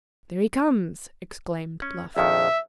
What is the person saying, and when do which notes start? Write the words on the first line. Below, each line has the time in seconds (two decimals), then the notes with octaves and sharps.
"There he comes!" exclaimed Bluff.
1.82 C#4
2.17 A#1 F2 D#3 E5